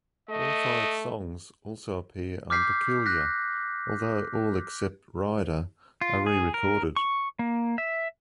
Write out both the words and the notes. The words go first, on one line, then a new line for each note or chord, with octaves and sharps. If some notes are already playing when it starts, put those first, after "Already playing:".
All five songs also appear on "Peculiar", although all except "Rider" are re-recorded.
A3 D#5
D6 F6 G6 B6 C7
F#6 A#6 B6
F4
G#4
A#4
C#6
A#3
E5